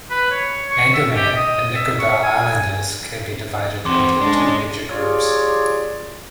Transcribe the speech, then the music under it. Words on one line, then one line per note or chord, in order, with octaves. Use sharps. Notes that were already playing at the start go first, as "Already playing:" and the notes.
Andaman and Nicobar islanders can be divided into two major groups.
B4
C#5
C#6
E5
G4
D#5
E5
C#6
G#5
E2 C4 F#4 C6 D6
D3 G#3 C#4 D4
F4 G4 G#4 C#5 D5